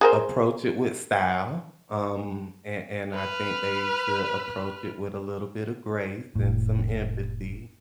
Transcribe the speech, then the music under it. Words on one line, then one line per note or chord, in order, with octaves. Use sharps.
approach it with style, um, and and I think they should approach it with a little bit of grace and some empathy.
G#4 A#4 C5
B4 F6
F1 A2